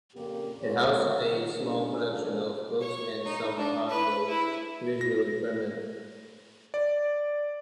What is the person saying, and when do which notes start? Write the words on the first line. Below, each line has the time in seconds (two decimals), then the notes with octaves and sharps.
It housed a small collection of books and some audio-visual equipment.
0.15 F2 A#2 C#3 A#3 G4
0.62 G#3 C4 A#4 C#5
1.15 D#3 F#3 G#4 A#4
1.60 C#3 G#3 A3 C#4 D4
2.08 G#2 C#3 F3 D4 G#4 A4
2.80 C#5
3.25 D#4
3.57 D4
3.89 B4
4.28 E4
5.01 A#6
6.74 D5